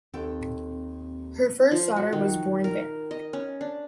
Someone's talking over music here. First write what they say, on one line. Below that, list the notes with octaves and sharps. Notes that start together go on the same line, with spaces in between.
Her first daughter was born there.
D#2 C4 A4 G5
F3
F#4
D#3
A#4
D#5
C#4
D4